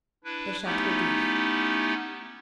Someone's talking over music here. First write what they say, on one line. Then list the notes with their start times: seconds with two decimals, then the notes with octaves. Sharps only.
The Chateau D'If.
0.24 D4 E4 B4
0.65 A3 B3 C#4 D#4 E4 G4